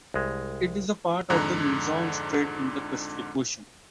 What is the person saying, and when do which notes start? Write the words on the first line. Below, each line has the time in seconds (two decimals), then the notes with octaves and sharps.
It is a part of the Luzon Strait in the Pacific Ocean.
0.14 C2 G#3
1.30 F2 G#2 D3 A#5 F#6